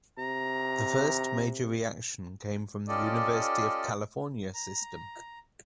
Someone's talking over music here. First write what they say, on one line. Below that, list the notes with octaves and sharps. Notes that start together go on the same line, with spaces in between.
The first major reaction came from the University of California system.
C3 A#5
C#4 F4 G4 A4 D5 D#5
A#5